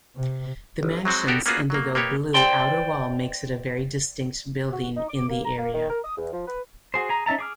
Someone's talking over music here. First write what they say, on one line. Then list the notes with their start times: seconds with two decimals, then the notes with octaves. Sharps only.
The mansion's indigo-blue outer wall makes it a very distinct building in the area.
0.16 C3
0.83 G1
1.05 F#3 G#3 C4 F#4
1.27 B3 D4 F#4 G4 A4 A#4
1.46 A#3 B3 C#4 F4 F#4 G#4
1.70 F#3 A#3
1.95 A#3 B3 G4 C#5
2.34 C5 D5 G5 C6
4.72 F#4
4.96 D#4
5.08 D6
5.29 A#3
5.45 A#5
5.58 A#3
5.74 D#3
5.89 A#4
6.04 D#6
6.17 E2
6.33 F3
6.47 B4
6.94 F#4 G#4 C5
7.09 G#4 A#5
7.26 C#4 D#4 E5 A5 A#5
7.39 G#4 D6 F6